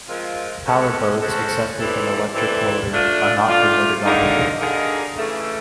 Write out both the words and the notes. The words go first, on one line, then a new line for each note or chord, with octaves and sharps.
Power boats, except with an electric motor, are not permitted on the brook.
F3 G#3 C4 F4 A#4
G#3 C#4 F#4 A4 C5
G#3 C#4 F#4 A4 C5
E3 G3 C4 E4 A4
E3 G3 C4 E4 A4
A3 D4 F4
A3 D4 F4
D3 G3 A#3 D#4 G#4
D3 G3 A#3 D#4 G#4
C#3 E3 A3